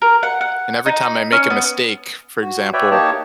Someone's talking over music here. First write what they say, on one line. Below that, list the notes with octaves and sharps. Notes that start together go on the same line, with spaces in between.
and every time I make a mistake, for example,
A#4
F#5
F#5
D#4
C#4
B3
F#4
B4 C#5 D5 E5 G5
A#3 D#4 G4 C#5 A5